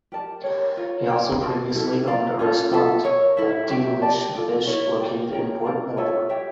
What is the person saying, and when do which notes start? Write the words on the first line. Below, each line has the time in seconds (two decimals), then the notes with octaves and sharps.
He also previously owned a restaurant, the "D'lish Fish" located in Port Melbourne.
0.12 G4 A#4 D5 A5
0.44 G4 A#4 C#5
0.77 F4 A#4 C#5
1.10 A#4 C#5 G5
1.42 A#4 D5 A5
1.75 C#4 E4 A4
2.07 A#4 D5 F5 A#5
2.39 C#4 F4 A4
2.72 F4 A4 E5 A5
3.04 A#4 C#5 E5
3.37 E4 A4 E5
3.70 G4 C#5 E5 G5
4.02 G4 D5 A5
4.34 F4 A4 D5
4.67 E4 A#4 C#5
4.99 A#4 D5 G5
5.31 A#4 C#5 G5 A#5
5.64 A#4 D5 F5 A5
5.97 F4 A4 C#5 E5
6.29 G4 C#5 E5 G5